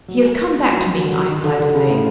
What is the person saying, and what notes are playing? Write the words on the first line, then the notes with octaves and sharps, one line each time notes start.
He has come back to me, I am glad to say.
F#3
F#3
F#3
F#3
D3
D3
C#3
A2